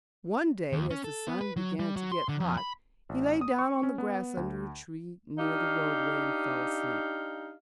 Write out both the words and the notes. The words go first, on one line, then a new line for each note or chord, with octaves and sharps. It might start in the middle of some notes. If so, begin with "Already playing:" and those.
One day, as the sun began to get hot, he lay down on the grass under a tree near the roadway, and fell asleep.
D#2
C#4
A4
B3
B4
F#3
G3
F#3
C6
D3
F2
B5
A1
D#6
C#6
C#4
B3
D2
D4 D#4 G4 F5